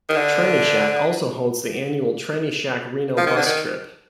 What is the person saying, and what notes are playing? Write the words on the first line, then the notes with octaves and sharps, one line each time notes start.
Trannyshack also holds the annual Trannyshack Reno bus trip.
D#3
D3
F3
D#3
D3
D#3